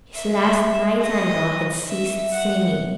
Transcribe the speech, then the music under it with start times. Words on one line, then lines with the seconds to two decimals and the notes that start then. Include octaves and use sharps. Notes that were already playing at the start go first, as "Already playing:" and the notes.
His last nightingale had ceased singing.
0.15 E5
1.02 D#5
1.89 E5
2.32 F#5